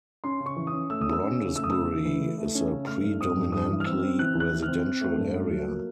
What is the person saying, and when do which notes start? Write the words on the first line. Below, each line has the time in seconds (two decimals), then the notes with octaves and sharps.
Brondesbury is a predominantly residential area.
0.24 C#4 C6
0.40 C#3
0.46 C#6
0.56 E3
0.67 D#6
0.72 C#4
0.90 A3 E6
1.01 C#4 D#6
1.13 E6
1.22 C#4
1.39 C#3
1.56 A3 E6
1.64 D#6
1.71 C#3 E6
1.88 E3
2.05 E3
2.21 A3
2.38 A3
2.55 C#4
2.70 C#3
2.87 A3 F6
3.04 G2
3.21 C4 D#6
3.37 G2
3.52 G2 D#6
3.69 E3
3.80 F6
3.85 C4 E6
4.03 C4
4.19 E3 F#6
4.35 E3
4.40 F#6
4.52 E3
4.63 F6
4.68 C4
4.85 C4
5.01 A3
5.18 G2
5.35 A3
5.51 F#3
5.68 A#3